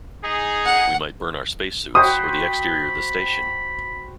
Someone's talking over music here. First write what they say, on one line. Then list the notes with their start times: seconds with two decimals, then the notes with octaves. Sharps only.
We might burn our spacesuits or the exterior of the station.
0.23 D#4 G#4
0.65 F#5
1.95 F#4 C5 G5 B5 D#6